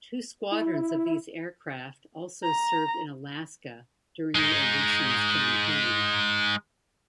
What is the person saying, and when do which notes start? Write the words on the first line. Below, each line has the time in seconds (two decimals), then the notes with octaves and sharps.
Two squadrons of these aircraft also served in Alaska during the Aleutians campaign.
0.52 E4
2.43 A#5
4.35 G#3 D#4